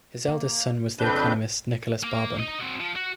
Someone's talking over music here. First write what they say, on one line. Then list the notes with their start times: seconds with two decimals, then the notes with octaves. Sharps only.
His eldest son was the economist Nicholas Barbon.
0.24 A#3
0.99 F2 C#3 C4 D4 B4 G6
2.03 A#3
2.39 D#4 D#5
2.60 C4 F#4
2.80 F3
2.96 F#4